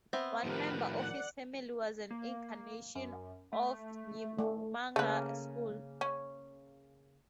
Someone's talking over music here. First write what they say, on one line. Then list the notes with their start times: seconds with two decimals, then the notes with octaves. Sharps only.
One member of his family was an incarnation of Nyingma school.
0.13 B3 C4 E5
0.45 A2 D#3 F3 G4 A#4 B4
0.97 D5 F#5
2.10 A#3
2.95 F#2
3.53 A3
4.39 A3
4.96 C#3 A3 A#3 B4
6.01 C#4